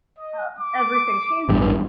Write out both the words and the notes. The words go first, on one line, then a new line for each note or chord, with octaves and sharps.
Um, everything changes.
D#5
D6
A1 E2 G2